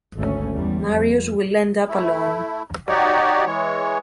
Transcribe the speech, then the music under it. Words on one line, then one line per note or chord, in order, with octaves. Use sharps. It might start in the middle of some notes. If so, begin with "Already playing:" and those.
Marius will end up alone.
G#1 D2 A3 C#4
E2 G3
F2
A3 E4
D#4 F#4 G4 C#5 D5
E3 G#3 C#5